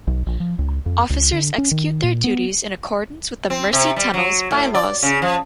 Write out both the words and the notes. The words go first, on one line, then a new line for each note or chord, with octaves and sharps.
Officers execute their duties in accordance with The Mersey Tunnels Bylaws.
B1
A#1
F3
C#2
F2
C#2
D3
C#4
D#3
A#2
B3
C4
C3
G3
F#3
A2
D5
C#3
F3